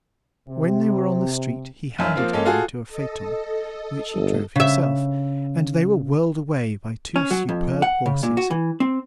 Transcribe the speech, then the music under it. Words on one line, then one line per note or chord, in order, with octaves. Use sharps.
When they were on the street he handed her into a phaeton, which he drove himself, and they were whirled away by two superb horses.
C3
B1 F#2 F6
F3 A#3 C4 F4
G#3 A#3 C#4 A4
F4 F#4 G#4 A4
A4 D#5
G1
C#3 E5
C#4
F#3
F2
F#5
C#3
A#2
F#4
E3
C4